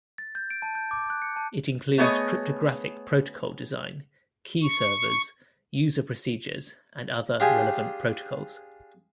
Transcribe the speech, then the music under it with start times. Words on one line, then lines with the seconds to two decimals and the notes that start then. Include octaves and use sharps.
It includes cryptographic protocol design, key servers, user procedures, and other relevant protocols.
0.18 A6
0.35 G6
0.50 D7
0.62 A5
0.75 G6
0.91 D6
1.10 F#6
1.22 C#7
1.36 A5
1.98 A3 B3 G#4 C#5 D#5
4.62 C#6
7.40 D4 F4 G4 G#4 G5 G#5